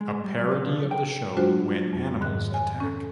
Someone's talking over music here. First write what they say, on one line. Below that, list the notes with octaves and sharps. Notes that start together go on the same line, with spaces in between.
A parody of the show When Animals Attack!
G#3
G3
F#3
B4
F3
G5
F#3 G#3 D4 F4 F#4 C5
F2 A6
G#2 D#3 F#6
C#5 G#5
C#4 A4